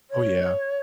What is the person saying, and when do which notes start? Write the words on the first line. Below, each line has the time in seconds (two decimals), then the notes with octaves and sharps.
Oh, yeah.
0.10 C#5